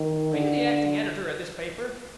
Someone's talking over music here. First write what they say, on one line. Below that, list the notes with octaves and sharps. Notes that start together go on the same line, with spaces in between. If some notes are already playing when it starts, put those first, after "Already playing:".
"Are you the acting editor of this paper?"
Already playing: D#3
D3